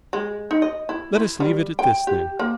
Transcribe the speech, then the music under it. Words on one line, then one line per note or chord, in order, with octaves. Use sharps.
Let us leave it at this then.
G#3
D#4
D#5
E4
E4
G3
G5
G4
A#3